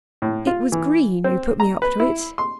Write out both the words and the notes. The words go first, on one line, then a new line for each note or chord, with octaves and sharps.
It was Green who put me up to it.
A2
F4
E3
C4
A#5
B4
E4
C6